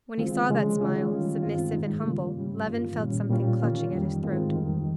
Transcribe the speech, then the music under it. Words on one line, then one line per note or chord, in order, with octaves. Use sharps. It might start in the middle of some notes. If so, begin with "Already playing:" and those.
When he saw that smile, submissive and humble, Levin felt something clutching at his throat.
D#3 G#3 C4 F4
C#3 F3 G#3 C#4
D#3 G#3 C#4 F4
D#3 G3 C#4 F4
G2 D#3 G#3 C4 F4
G#2 D#3 G#3 D#4
C#3 G3 A#3 C#4 F4
G#2 G3 C#4
G2 D#3 A#3 F4
A#2 G3 C#4
A#2 G3 C#4 F4
D#3 A#3 C#4 F4
F2 D#3 G3
G#2 D#3 G#3 C4 F4
F2 D#3 G3